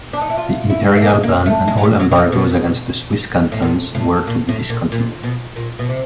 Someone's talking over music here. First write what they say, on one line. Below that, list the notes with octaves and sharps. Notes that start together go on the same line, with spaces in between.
The imperial ban and all embargoes against the Swiss cantons were to be discontinued.
D4
D#4
E4
F4
E4
A3
A#3
A#3
A3
G#3
F#3
G3
F#3
E3
F3
B2
A2
A#2
A2
A#2
A2
A#2
A#2
B2
A#2
B2
C3